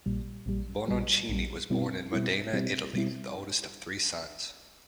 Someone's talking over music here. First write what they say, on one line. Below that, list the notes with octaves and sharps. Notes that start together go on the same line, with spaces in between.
Bononcini was born in Modena, Italy, the oldest of three sons.
A#1 A#2 G3
A#1 A#2 G3
A#1 A#2 G3
A#1 A#2 G3
B2 G3 C4 E4
B2 G3 C4 E4
B2 G3 C4 E4
B2 G3 C4 E4